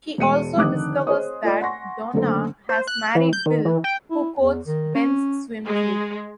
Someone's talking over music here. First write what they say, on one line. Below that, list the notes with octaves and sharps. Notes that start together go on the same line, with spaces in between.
He also discovers that Donna has married Bill, who coached Ben's swim team.
E1 G#3 C#7 D#7
F1 D3 D#3 D6 D#6 F#6
G#4 C5 C#5 D#5 D#6
F4 A4 D5 D#5
F#5 G#5 C6 C#6 A#6
F#1 D3 A3 A#3 A4 C5
C5
F#6
E3
G6
D#3
E3
G5
E4
E2
D#3
C#4
G#3